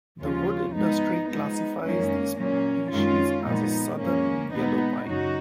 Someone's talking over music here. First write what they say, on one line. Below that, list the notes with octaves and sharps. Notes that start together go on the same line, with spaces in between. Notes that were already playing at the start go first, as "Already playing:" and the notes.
The wood industry classifies the species as a southern yellow pine.
D#2 C#3 F3 G#3 C#4 F4
G#2 F3 G#3 B3 D#4
G#2 F3 G#3 B3 D#4
F#2 D#3 G#3 A#3 C#4
A#2 F#3 A#3 C#4
F#2 D#3 G#3 C#4 F4
A#2 F3 G#3 B3 D#4
F#2 F3 G#3 A#3 C#4
A#2 G#3 B3 D#4
F#2 C#3 F#3 D#4 F#4